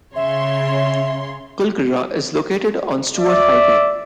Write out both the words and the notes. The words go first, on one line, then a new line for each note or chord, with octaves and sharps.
Kulgera is located on Stuart Highway.
C#3 C#5 E5 C6
D5 E5